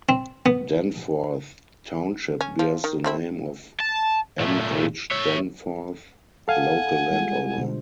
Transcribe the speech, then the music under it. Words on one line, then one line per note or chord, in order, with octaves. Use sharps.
Danforth Township bears the name of N. H. Danforth, a local landowner.
C4
B3
C#4
F3
D#3
A3 C4 E4
A5
A#2 A3
C#5 E5
A4 F5 F#5 G#5
G3 G#3 F4
B2 D3 C5